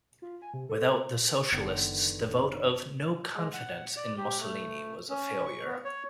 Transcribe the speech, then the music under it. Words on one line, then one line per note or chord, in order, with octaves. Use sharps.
Without the socialists the vote of no 'confidence' in Mussolini was a failure.
F4
G#5
C3
A4
F#1 D3 D#3 B3
G#3
F#5
D5
G4
A3
C#4
C#6
B3
C#5